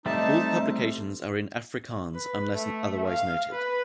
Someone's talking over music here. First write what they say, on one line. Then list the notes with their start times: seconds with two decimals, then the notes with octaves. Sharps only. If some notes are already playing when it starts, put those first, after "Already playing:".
All publications are in Afrikaans unless otherwise noted.
0.06 G3 A3 C4 D#4 E5 A5
2.14 B4
2.54 A3
3.07 F5
3.53 B4